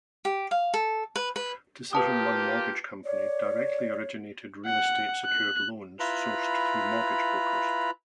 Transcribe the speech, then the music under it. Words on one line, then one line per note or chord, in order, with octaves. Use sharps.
Decision One mortgage company directly originated real estate secured loans sourced through mortgage brokers.
G4
F5
A4
B4
B4
A#3 F4 G4 B4 A5 D#6
C#5 D5
F#5
F#6
E4 F4 B4 A#5 B5